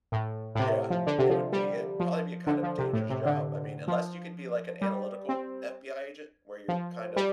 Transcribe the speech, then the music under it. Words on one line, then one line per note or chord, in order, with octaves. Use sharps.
Yeah, it would be, it'd probably be a kind of dangerous job. I mean, unless you could be, like, an analytical FBI agent where you're kind of
A2
A2
C3
F3
D3
C3
F3
G3
F3
D3
F3
C3
A2
C3
D3
F3
G3
C4
F3
G3